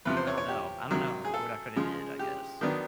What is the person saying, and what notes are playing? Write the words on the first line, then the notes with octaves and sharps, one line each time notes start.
I don't know I don't know what I coulda did, I guess.
E2 C3 F3 B4
C5
C#5
C#5
G4
C3 D#3 F#3
G#4
A4
C#3 F3 G#3
G4
D#3 F#3 B3 D4